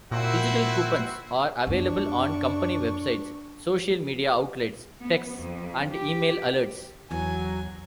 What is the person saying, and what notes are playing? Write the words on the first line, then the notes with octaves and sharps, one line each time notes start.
Digital coupons are available on company websites, social media outlets, texts, and email alerts.
A#2 C4 E4 F#4
F#2 B3 D4 C#6
B3
F2
G4
E2 F#3 G#5